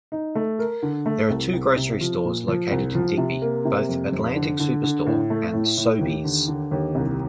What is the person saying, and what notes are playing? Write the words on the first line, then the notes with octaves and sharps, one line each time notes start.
There are two groceries stores located in Digby, both Atlantic Superstore and Sobeys.
D#4
A3
A#4
D3
A3
C2
C2
C3
F3
A#2
F3
C2
F3
C3
A#3
C3
F2
F1
D3
D3
D3
A2
A3
A2
A2
D#2
D3
D3
D#2
C2